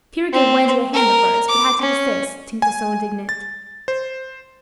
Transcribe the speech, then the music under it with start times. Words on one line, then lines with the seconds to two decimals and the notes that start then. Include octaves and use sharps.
Peter gave Wendy a hand at first, but had to desist, Tink was so indignant.
0.33 C4
0.94 A#4
1.49 D6
1.81 C#4
2.62 G#5
3.29 A6
3.88 C5